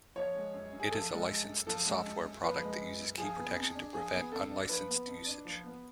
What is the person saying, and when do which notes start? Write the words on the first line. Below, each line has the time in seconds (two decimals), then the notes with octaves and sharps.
It is a licensed software product that uses key protection to prevent unlicensed usage.
0.16 F3 C#5
0.34 G#3
0.54 F#2
0.72 F#2
0.80 G#4
0.91 F3 A4
1.11 G#3
1.29 F#2
1.48 F#2
1.67 F3 A4
1.86 G#3
2.05 F#2
2.24 F#2
2.43 F3 B4
2.61 G#3
2.81 F#2
2.99 F#2
3.18 F3 G#4
3.37 B3
3.56 F2
3.75 D4
3.93 F3 G#4
4.13 B3
4.32 F2 A4
4.51 D4
4.69 F3 B4
4.88 B3
5.07 F2
5.26 D4
5.45 F3
5.64 B3